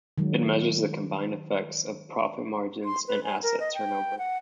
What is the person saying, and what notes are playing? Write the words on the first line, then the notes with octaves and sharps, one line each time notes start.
It measures the combined effects of profit margins and asset turnover.
D#3 F#3 G#3
C6
B4
G#5
A#4
D#5
G5
F#5